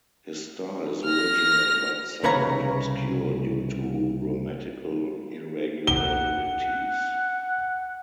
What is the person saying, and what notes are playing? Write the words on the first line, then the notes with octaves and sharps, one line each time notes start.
His style is original, but somewhat obscure due to grammatical irregularities.
F6 A#6
C2 C#3 B4 C#5 F5 A#5
F#5 G7